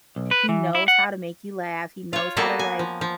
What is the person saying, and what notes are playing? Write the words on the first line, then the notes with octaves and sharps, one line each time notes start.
he knows how to make you laugh, he knows how to, like,
B1
B4
E3
E4
F#5
F4 C#5
A#3 B3 F#4 A4 D#5
G#5
F3
F3